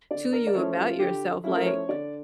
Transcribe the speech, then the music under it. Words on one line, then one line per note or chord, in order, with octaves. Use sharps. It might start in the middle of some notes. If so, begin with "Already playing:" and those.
to you about yourself, Like,
D3 D5
A#4
D5
F3 A3 C#4 E4 C#5
F4
D3 G4
F3 A3 C#4 E4
A#4
C#5
D3 D5